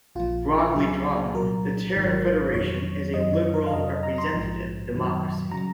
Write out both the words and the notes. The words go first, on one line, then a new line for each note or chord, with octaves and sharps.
Broadly drawn, the Terran Federation is a liberal, representative democracy.
A#1 A#2 F3 F4
C#2 C#3 F#3 G#4
C2 A#2 F#3 A#4
G#1 G#2 D#3 F#3
F2 D#3 F#3 C#5
F#2 D#3 F#3 D#5
C#5
A#4
F5
F2 C3 F#3 D#5
D#5
A#5
C6
A#1 G#2 F3
F#2 D#3 F#3
C#3 F#3 A#5